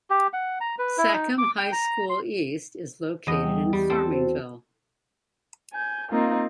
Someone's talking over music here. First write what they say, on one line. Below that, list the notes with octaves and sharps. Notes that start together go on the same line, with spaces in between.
Sachem High School East is located in Farmingville.
G4
F#5
A#5
B4
E4
D#4
D6
G5
A#5
C6
E2 D#5
G3 G5
G3 G4
C4 A4
F#4 C5
G#5 G6
A#3 C4 D#4 F4